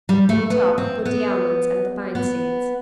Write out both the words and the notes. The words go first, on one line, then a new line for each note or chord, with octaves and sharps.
On top put the almonds and the pine-seeds.
G3
A3
B3
C4
B3
B3